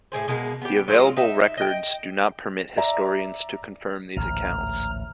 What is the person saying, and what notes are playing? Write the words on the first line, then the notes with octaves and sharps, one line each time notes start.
The available records do not permit historians to confirm these accounts.
A2 D#3 G#4 C5
B2 G#3 A#3
B3 G4
F#3 G#3 F4
D#4 E5
D#5 G5
D5 E5 A#5
A1 D2 G#2 A#5 F6